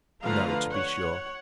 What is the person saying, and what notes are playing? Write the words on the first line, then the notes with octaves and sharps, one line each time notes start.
No, to be sure!
D3 F3 A3 B4 F5 A#5
C#5 F#5